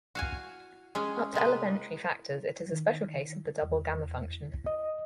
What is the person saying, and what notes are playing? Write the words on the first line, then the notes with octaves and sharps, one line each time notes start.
Up to elementary factors, it is a special case of the double gamma function.
F#4 F5 G#5
G#3 C#4 G#4
C3 G#3 A#3 B4
D#3
E2
D#5